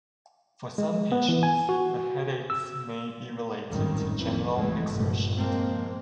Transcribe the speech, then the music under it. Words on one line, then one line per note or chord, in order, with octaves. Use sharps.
For some patients, the headaches may be related to general exertion.
G#3
B3
E3
G#5
F#4
E6
G#1 F#2 A2 D#3 G3
F2 E3
A1 F2 C#3 E3 G#3 A3
F1 A#1 G2 A#2
F3 G#3 A#3 C4